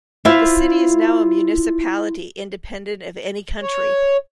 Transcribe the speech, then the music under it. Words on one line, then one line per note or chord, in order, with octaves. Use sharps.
The city is now a municipality independent of any county.
E4 F4 C5 E5 F5
C#5